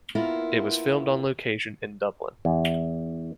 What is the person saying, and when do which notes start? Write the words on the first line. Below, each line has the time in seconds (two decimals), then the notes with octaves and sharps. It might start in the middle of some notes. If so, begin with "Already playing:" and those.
It was filmed on location in Dublin.
0.15 A#3 B3 E4 F4 A#4
2.45 E2